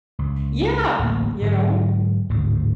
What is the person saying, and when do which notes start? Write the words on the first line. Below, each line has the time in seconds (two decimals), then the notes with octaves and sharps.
Yeah, you know?
0.19 C#2
0.99 D1 A1 F2 A#3
1.42 G#2 D3 F#3
2.29 G#1 D2 A2 C#3